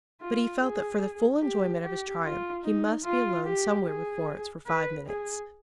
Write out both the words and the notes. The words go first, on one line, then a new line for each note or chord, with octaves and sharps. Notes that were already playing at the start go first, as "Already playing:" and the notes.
But he felt that for the full enjoyment of his triumph he must be alone somewhere with Florence for five minutes.
F4
G#4
G4
G4
F4
D#4
F4
G4
G#4
B4
G#4